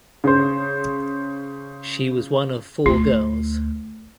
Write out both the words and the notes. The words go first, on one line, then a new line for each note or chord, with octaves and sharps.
She was one of four girls.
C#3 C5
D2 F4